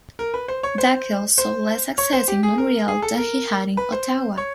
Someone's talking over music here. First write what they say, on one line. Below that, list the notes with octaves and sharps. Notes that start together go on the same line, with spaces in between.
Dackell saw less success in Montreal than he had in Ottawa.
A#4
B4
C5
C#5
C5
C5
C#5
C5
G4
G#4
A#4
G#4
A4
A#4
B4
C5
C#5